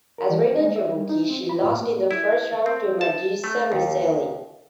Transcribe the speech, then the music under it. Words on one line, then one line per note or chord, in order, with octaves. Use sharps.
As Reina Jabuki, she lost in the first round to Madusa Miceli.
A#4
E3
A#3
G#3
E5
G3
D#4
C4
B5
A2
A#3
E4
C4
A5
A3
D#2